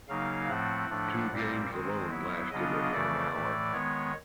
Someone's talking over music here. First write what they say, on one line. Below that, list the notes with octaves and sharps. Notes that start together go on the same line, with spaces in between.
Two games alone lasted an hour.
C#3 F#3 A#3 D#4 F5
A2 F3 A3 C4 F#5
A2 F3 A3 D4
A#2 G3 C4
D#3 G#3 C4
F#3 B3 E4
C#3 F#3 B3 D4 F4 D#5
C#3 E3 A3 D5
A2 E3 A3
D#3 G#3 B3 C#5